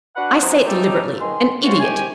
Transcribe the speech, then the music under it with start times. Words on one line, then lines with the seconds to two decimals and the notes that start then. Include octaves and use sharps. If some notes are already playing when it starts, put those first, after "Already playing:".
I say it deliberately--an idiot!
0.15 D4 F#4 B4 F#5
0.40 G2 F3 F#3 G#3
0.66 G#2 C#3 G3 A3 D#4 G4
1.19 B2 D#3 G#4 C6
1.63 C3 C#4 F4 F#4 C5 C#6
1.79 C3 D#3 G4 G#5